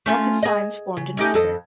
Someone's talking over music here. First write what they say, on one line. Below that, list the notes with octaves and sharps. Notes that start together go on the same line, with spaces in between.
Rocket Science formed in Melbourne.
A3 C#4 F4
G#4 D#5
C#3
C#4 D#4 G4
F2 A4 D#5